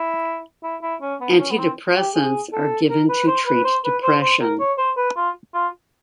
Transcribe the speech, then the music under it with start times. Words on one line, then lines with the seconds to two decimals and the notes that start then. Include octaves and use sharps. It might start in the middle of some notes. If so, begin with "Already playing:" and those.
Antidepressants are given to treat depression.
Already playing: E4
0.63 E4
0.82 E4
1.01 C#4
1.20 B3
1.39 C#4
1.51 B3
1.58 C4
1.96 G4
2.14 G#4
2.52 A4
2.90 A#4
3.09 B4
3.27 C5
3.46 B4
3.64 C5
3.84 B4
4.03 C5
4.21 C5
4.40 A#4
4.59 C#5
4.78 C5
4.97 B4
5.16 F4
5.54 F4